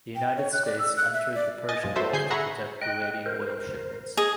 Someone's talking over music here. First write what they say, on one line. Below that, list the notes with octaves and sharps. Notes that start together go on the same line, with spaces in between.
The United States entered the Persian gulf to protect Kuwaiti oil shipments.
G5
C#5
F#6
D5
E6
F#6
E5
D5
D#5 G#5 A6
G2 F3
E4 F#4 A4 C5 E5
D3 G#4 G#5 G6 C7
G#4 E5 F#5 A#5 B5 C#6
D#5 G5 F#6
A#4 C5
G#4 D#5